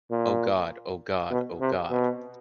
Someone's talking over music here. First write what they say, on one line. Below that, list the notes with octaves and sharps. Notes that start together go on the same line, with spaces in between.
Oh god, oh god, oh god!
A#2
B2
C3
B2